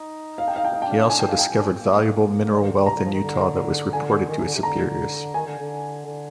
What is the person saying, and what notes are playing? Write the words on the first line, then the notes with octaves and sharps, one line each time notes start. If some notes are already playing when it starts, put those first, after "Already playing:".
He also discovered valuable mineral wealth in Utah that was reported to his superiors.
Already playing: D#4
F5
G5
F5
G5
D#4 F5
G5
D4
F5
D4
D4 G#5
G5
D4 F5
D#4 G5
D4
C4
A#3
G3
D#3
D3
D#3
C3 A#5
D3
F3
D#3
D3
D3 G#5
D#3
C3
D3
C3
D3 A#5
D#3 G#5
D3
D3
D3